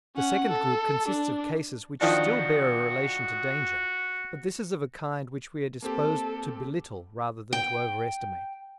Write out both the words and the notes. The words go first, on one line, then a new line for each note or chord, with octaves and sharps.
The second group consists of cases which still bear a relation to danger, but this is of a kind which we are disposed to belittle rather than to overestimate.
C#4 F#5
A4
D4
D#3 F3 D4 F#4
A#3 C4 G4 A4
G5